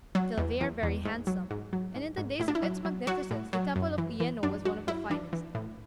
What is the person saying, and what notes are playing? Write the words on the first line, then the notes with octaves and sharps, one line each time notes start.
Still they are very handsome, and in the days of its magnificence the Temple of Uyeno was one of the finest.
F#3
E2
E2
E2
G#2
F#3
G#2
F#3
G#2
G#2
A2 E4
D4
E4
F#3
F#3
F#3 F#4
A2
F#3
F#2
E3
E3
F#2 D4
F#2 F#4
F#2 E4
E3 D4
E3
A2